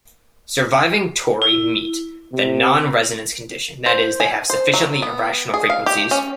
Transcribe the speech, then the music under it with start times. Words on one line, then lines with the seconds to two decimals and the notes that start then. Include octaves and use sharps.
Surviving tori meet the non-resonance condition, that is, they have "sufficiently irrational" frequencies.
1.42 E4
2.33 C3
3.86 C5
4.20 G#5
4.50 C5
4.74 F#3
5.02 B3
5.54 G#4
5.70 F5
5.86 G4
6.11 C#4